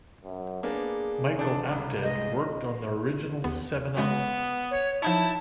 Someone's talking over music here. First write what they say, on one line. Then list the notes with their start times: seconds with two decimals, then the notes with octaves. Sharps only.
Michael Apted worked on the original "Seven Up".
0.24 F#2
0.63 A#3 B3 D4 G#4
1.37 C#3 D4 A4
1.68 C2 C#3
2.03 G#3 D#5
3.44 D#2 B3
3.97 C#3 G#3 B3 F#4
4.71 C#5
5.02 F3 D#4 E4 C#5 A5